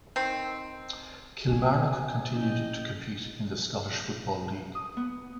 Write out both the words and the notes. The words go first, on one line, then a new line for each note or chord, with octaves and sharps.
Kilmarnock continued to compete in the Scottish Football League.
D#3 C4
F3 G3 C#4 F#4 G#5
C#4 E4 D#5 G5
D#6
B3